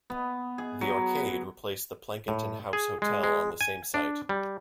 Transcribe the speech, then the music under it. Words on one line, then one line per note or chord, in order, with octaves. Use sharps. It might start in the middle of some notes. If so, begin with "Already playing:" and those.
The Arcade replaced the Plankinton House Hotel on the same site.
B3
G#4
F#3
A2
G#4
G#3
G#3
G#5
D4
G3